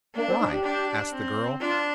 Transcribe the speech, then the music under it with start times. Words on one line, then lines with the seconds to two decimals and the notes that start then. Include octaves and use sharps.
"Why?" asked the girl.
0.15 A#3 D4
0.27 C4
0.39 D#4
0.51 G4
0.63 D4
1.12 C4
1.60 D4 F4